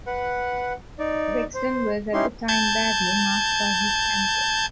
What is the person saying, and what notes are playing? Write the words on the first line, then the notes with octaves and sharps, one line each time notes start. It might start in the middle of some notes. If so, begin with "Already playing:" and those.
Reksten was at the time badly marked by his cancer.
B4 F#5
D#4 D5
C5
C#4 D#4 E4 G4 C6
A5 G6 G#6